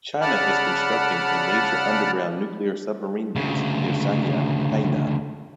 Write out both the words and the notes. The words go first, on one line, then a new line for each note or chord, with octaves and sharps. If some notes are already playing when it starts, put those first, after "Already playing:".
China is constructing a major underground nuclear submarine base near Sanya, Hainan.
C#3 D5 F#5 A5 B5 F6
D2 C#3